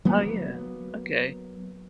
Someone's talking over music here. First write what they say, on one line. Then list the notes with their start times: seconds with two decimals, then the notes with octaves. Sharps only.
Uh, yeah, okay.
0.05 F#3 A#3 B3